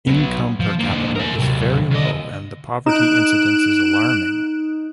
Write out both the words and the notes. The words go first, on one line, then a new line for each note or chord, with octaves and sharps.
Income per capita is very low and the poverty incidence is alarming.
B2 F#3
F3
D3 A#3
A#4 E5
C3 F#3
D2 D#5
D#4 F#6 D7 E7